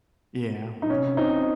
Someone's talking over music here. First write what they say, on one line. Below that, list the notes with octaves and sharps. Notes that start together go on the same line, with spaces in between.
Yeah. I'm not
D#4
C#4
C4 D#4